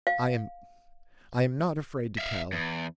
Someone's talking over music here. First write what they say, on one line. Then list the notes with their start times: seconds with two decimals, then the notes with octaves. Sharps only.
I am--I am not afraid to tell.
0.07 F5
2.18 E5 F5
2.52 E2